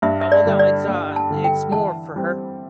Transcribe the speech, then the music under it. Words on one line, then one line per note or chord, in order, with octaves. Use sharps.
Uh, well, no, it's, uh, it's more for her,
G2 E5
E5
D5
D3 G3
D5
G2
A5
D3 G3
G5
E3 A5
G3 C4